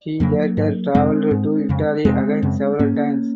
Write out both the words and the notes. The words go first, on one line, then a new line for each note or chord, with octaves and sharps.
He later travelled to Italy again several times.
F2 C#3 F#3 A#3
G#2
F2 C3 G#3 C4
G#2
F2 C#3
F2 C3 G#3 C4
F#2 C#3
G#2 A#3 C#4